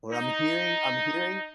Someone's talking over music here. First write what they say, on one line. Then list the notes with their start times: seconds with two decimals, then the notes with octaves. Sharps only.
or I'm hearing I'm hearing
0.12 D#4